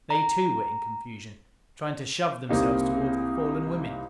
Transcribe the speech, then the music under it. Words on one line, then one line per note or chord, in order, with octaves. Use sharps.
They too, were in confusion, trying to shove themselves toward the fallen women.
A#5
C2 A#3 C4 D#4 G4 F5